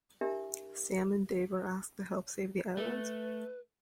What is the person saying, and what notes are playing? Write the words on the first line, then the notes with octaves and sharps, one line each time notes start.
Sam and Dave are asked to help save the island.
D4 E4 G4 A#4 E5
A3 B4